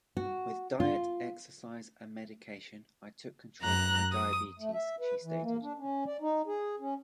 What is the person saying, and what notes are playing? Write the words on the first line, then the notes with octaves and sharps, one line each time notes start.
"With diet, exercise and medication, I took control of my diabetes," she stated.
F#4
F4
F#2 A#5 F#6
D#6
A3
E5
B4
E3
A#3
D4
C#4
D5
D#4
G#4
C#4